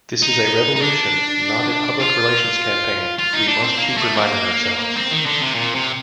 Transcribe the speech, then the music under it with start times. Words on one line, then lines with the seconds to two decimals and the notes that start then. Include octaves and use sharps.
This is a revolution, not a public relations campaign, we must keep reminding ourselves.
0.22 D#4
0.76 D#4
0.81 D4
2.00 F4
3.19 F4
3.33 D#4
3.48 D4
3.63 C4
3.78 A#3
3.97 A3
4.17 A#3
4.96 C4
5.11 D#3
5.26 D3
5.41 C3
5.55 A#2
5.75 C3